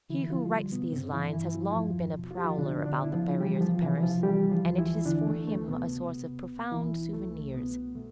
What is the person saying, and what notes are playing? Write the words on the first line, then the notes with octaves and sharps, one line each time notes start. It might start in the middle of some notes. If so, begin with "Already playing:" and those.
He who writes these lines has long been a prowler about the barriers of Paris, and it is for him a source of profound souvenirs.
D3 E3 E4
F3 F4
D3 G3
B2 B3
G2 C3 C4
E3 E4
G2 E3 E4
F3 F4
E4
E2 F3 F4
B2
F4
G4
F3 F4
B2 D3 D4
D3 D4
B2 E4
F3 F4
E3 G3 G4
F3 F4
C3 E3 E4
F3 F4
E3 G3 G4
F3 F4
D2
E3 E4
D3 E3 D4
A3
D2 A3
B2 B3
C3
D2
C2 E3 E4
C2 A3
B2 B3
B2 A3